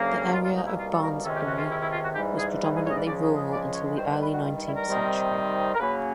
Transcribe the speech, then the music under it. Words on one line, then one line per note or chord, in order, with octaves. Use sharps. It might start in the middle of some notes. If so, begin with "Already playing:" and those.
The area of Barnsbury was predominantly rural until the early nineteenth century.
Already playing: D2 C#3 F#3 A#3
C2 B2 G3 A#3 F4
F4
D#4
E4
F4
A4
A#4
C#2 C3 D#3 G#3 C#4 A4
G4
F#4
F4
E4
E4
F4
F#4
G#2 E3 G3 G4
G#4
G#4
G#4
C#5
D#5
D5
C#2 C#3 F3 G#3 D5
D#5
D#5
D5
C#5
G2 D#3 G3 C5
C5
B4
F#4
F4
D#4
E4
A#4
C3 D#3 G3 C4 D#4
A#4
C#3 F#3 A#3 C#4 B4